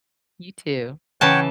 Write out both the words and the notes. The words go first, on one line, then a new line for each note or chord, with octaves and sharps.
You too.
C#3 E3 C#5 F#5 G5 A5